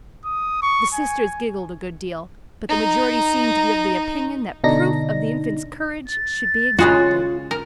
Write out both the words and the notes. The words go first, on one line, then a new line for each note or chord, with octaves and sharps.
The Sisters giggled a good deal, but the majority seemed to be of the opinion that proof of the Infants' courage should be exacted.
D#6
C#6
G#5
D#4 A#5
B2 D3 D4 D#4 A#6
A6
C#3 G#3 F4 F#4
A#4